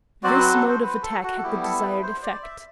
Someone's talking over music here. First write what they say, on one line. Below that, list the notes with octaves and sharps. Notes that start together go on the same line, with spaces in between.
This mode of attack had the desired effect.
F#3 C4 F#4 D5
B4
A4
C5
B4
A4
F#4
A4
G3 B3 E4 G4
A4
A4
B4
C5
D5
E5